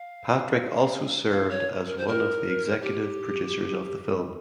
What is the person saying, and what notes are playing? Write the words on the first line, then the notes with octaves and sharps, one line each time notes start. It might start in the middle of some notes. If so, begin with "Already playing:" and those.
Patrick also served as one of the executive producers of the film.
Already playing: F5
F5
C#5
A#4
C5
A#4
G4